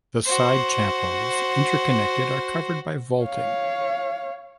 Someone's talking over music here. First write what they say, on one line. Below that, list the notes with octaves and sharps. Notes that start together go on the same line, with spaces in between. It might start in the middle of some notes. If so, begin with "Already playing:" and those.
The side chapels, interconnected, are covered by vaulting.
F#4 C5
C#5 F5